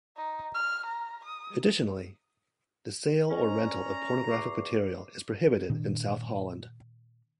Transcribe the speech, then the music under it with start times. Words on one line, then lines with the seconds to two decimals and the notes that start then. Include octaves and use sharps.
Additionally, the sale or rental of pornographic material is prohibited in South Holland.
0.17 D#4
0.54 F6
0.86 A#5
1.24 D#6
3.31 C#4 C5 D#5 A#5
3.65 D5
4.29 E2 C#6 D6 C7
5.70 A#2 D#3 D4